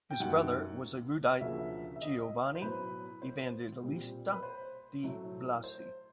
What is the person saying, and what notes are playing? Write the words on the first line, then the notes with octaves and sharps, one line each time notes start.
His brother was the erudite Giovanni Evangelista di Blasi.
G5
F#2 D#3 G3 A#3 F#5
D2 C#3 F3 A#3 E5
E5
D#5
C5
A2 F#3 B3 B4
C5
A#2 G3 C4
B4
C5
A2 F#3 A3
C5